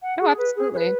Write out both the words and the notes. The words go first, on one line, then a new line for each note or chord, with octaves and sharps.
Oh, absolutely.
F#5
G#4
B4
G#4
C#5
B4